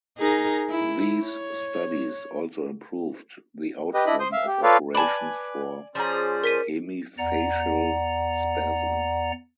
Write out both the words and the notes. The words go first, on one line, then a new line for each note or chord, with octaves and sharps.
These studies also improved the outcome of operations for hemifacial spasm.
D#4 G#4 A#4
E4
C#5
G4 B4 D#5
D4 E4 D#5 B5
C5 D#6 G6
E5 F5
G4
F4 A4 B4 C#5 D5 F5
B4 D5 G#5 A5 B5
F3 C#4 G#4 C5 D5 A#5
A#4 B6 D#7
E2 D5 F#5 A#5